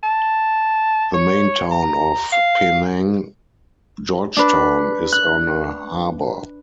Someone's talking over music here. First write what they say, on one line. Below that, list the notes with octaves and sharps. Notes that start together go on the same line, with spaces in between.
The main town of Penang, George Town, is on a harbor.
A5
C#5
A#5
F5
D4 B4
F#6